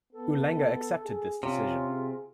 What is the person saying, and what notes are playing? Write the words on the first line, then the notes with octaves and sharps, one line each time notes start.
Ulenga accepted this decision.
B3 A4
G#4
C3 C#4 F4
G#4